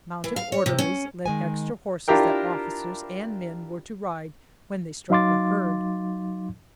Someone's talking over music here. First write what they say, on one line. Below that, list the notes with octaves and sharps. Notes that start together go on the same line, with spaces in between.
Mounted orderlies led extra horses that officers and men were to ride when they struck the herd.
E3
F5
C#5
C3
C#4
D#3 G#3 G#5
D4 E4 F4 G4 A#4 G5
F#3 D#4 F5 C6 D6 A6